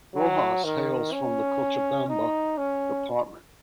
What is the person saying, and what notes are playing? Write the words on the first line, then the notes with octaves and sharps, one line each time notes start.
Rojas hails from the Cochabamba Department.
F#3
D#3
C#4
D#4
C#4